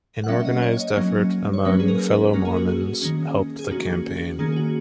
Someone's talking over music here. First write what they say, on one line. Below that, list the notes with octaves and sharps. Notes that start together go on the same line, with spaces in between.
An organized effort among fellow Mormons helped the campaign.
F#5
F#3 A#3 C#4 E5
D#5
C#5
D#5
F#3 A#3 C#4
C#5
F#3 A#3 C#4 B4
G#4
A#4
B4
F#3 A#3 C#4 A#4
G#4
F#4
G#4
D#3 A#3 C#4
G#4
D#3 A#3 C#4 F#4
F#4
D#3 A#3 C#4 G#4
G#4
F#4